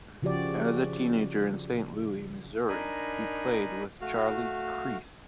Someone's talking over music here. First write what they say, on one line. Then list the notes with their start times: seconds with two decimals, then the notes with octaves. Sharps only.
As a teenager in Saint Louis, Missouri he played with Charlie Creath.
0.22 C#3 F3 F#4 G4 D5
2.69 D4 D#4 A#4 G#5 B5
4.01 A3 F#4 F5